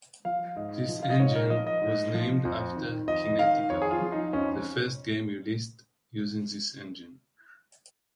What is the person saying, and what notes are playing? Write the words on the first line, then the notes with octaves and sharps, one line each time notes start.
This engine was named after "Kinetica", the first game released using this engine.
F3 F5
G#2 D#5
F3
F5
D#5
G#2 C#5
A#4
F3 D#5
D#5
G#2
F3
F2
D#3
F2 D#5
D#3 F5
F2 C#5
G#4
F4
F3
D#4
F2 C#4